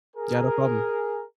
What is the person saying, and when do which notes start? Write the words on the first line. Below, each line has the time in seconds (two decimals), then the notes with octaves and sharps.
Yeah, no problem.
0.16 G#4 A#4